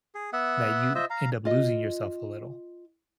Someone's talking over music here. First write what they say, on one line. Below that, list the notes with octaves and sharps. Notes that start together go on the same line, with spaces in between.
that you end up losing yourself a little.
G#4
B3 E5 F#5
F4 C5 D#5 E5
F5 A#5
F4 D#5